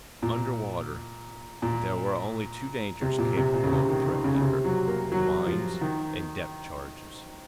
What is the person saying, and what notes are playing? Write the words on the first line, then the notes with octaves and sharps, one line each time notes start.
Under water there were only two dangers capable of threatening her--mines and depth-charges.
A#2
A#2
C3
A#2
C3
A#2
C#3
C3
D#3
D#3
C#3
C#3
C3
F#3
A#3
F#3
F3
D#3